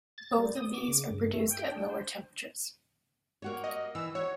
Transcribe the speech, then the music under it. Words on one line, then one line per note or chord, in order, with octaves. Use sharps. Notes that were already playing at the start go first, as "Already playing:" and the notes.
Both of these are produced at lower temperatures.
A6
G3
D#6
D6
C#3
G2
A3
G5
D4
C5
A#3 F#4 C#5
D#5
E3 E6
F#4 C#5